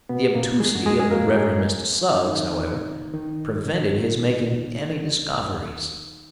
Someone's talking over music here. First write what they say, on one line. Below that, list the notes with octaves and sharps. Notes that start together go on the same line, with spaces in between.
The obtusity of the Reverend Mr. Suggs, however, prevented his making any discoveries.
B2 B3
A#2 A#3
G#3 G#4
F#4
G#3 G#4
G#4
A#3 A#4
G#3 G#4
D#3 D#4
D#3 D#4